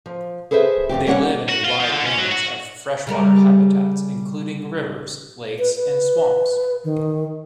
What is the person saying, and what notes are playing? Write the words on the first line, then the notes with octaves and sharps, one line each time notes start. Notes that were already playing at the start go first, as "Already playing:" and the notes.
They live in a wide range of freshwater habitats, including rivers, lakes, and swamps.
F3
G#4 A4 B4 C5 E5
F#2 A2 C#3 G4
G3 A#3 C#4 C#5 F#5
F#4
F4
F3
D3
C#4
F#3
F#4
C#3 G3 A#4
B4
B4
D#3